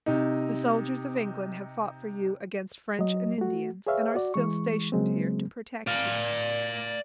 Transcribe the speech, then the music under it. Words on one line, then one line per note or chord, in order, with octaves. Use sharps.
The soldiers of England have fought for you against French and Indians and are still stationed here to protect you.
C3 D#4
F#3 D#5
A3 F#4
G#4 B4 C#5 E5 F5
F#4 D5
E3 G#3 C#6
C#3 F#3 G#3 A#3 C4
D5 F5